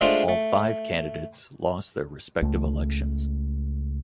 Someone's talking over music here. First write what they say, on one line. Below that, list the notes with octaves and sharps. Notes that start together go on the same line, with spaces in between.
All five candidates lost their respective elections.
G#3 A3 D4 F4 G#4 C5
A3
C#2 A3